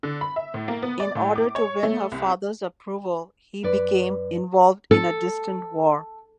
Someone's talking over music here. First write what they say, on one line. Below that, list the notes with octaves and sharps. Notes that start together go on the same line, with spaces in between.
In order to win her father's approval, he became involved in a distant war.
D3
B5
E5
A2
A#3
B3
D5
A2
D6
C#5
A3
C2
F#2 B4 D5
A4